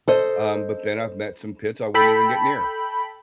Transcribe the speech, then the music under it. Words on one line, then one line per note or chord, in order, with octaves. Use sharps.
Um, but then I've met some Pits I wouldn't even get near.
A4 C5 D#5
A4 G5 B5